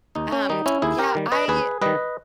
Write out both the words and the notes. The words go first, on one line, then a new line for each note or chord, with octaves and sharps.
I Um, yeah, I
D#2 D#4
C#4
D#3 G3 D#4
C#4 E4
D#2 E4 G#4
G4 A#4
D#3 G3
B4 D#5
D#2 G#4 B4
D#3 G3 B4 D#5